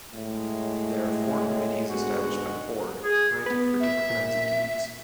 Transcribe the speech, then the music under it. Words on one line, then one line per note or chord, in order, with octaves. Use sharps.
There are four committees established by the Board, granted for different kinds of duties.
A2 G#3
G#2 B2 D3 G#3 F#4 F#5
G#4
B3 B4
E5
A#2